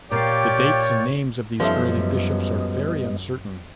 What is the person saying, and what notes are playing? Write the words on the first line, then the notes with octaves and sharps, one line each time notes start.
The dates and names of these early bishops are very uncertain.
A#2 F4 G4 C#5 D5 F5 G5
F#2 F3 G3 B3 C#4 A4 D#5 E5